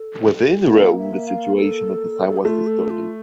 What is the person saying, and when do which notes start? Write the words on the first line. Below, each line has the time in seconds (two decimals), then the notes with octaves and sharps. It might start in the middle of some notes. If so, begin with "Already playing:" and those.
Within Rome the situation at this time was disturbing.
Already playing: A4
0.69 A#3 F5
0.97 E5
1.13 A#3
1.27 F5
1.56 A4
2.28 A4
2.37 G4
2.45 A3 F4
2.67 A4
2.90 F4